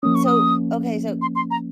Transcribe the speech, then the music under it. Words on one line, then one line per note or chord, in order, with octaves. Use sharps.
So, okay, so,
F3 A#3 C#4 D#6
C#6
D#6
C6
C6
A#5